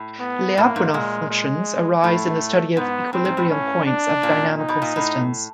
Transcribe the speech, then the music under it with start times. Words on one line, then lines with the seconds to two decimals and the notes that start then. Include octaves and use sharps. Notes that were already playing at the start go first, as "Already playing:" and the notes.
Lyapunov functions arise in the study of equilibrium points of dynamical systems.
Already playing: A2
0.20 B3
0.57 A2 A#3
0.76 G#2
0.93 A#2 G#3
1.30 G#3
2.03 A2 A3
2.76 G#2 B3
3.13 A2 C4
3.25 G#2
3.37 A2
3.50 C#4
3.86 D4
4.23 A#2
4.59 D#4
4.68 B2
4.82 A#2
4.96 A2